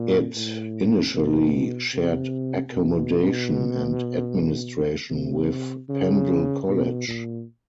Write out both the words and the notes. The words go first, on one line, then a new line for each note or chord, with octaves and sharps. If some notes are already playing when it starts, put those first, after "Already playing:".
It initially shared accommodation and administration with Pendle College.
Already playing: A#2
A2
B2
C3
B2
C3
C#3
B2
A#2